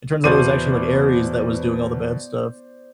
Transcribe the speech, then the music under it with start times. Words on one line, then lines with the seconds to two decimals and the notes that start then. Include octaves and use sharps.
it turns out it was actually, like, Ares that was doing all the bad stuff,
0.24 E2 B2 C5 D5 D#7